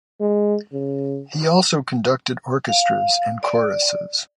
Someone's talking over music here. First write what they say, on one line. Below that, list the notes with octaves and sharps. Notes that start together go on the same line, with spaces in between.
He also conducted orchestras and choruses.
G#3
C#3
F5
D5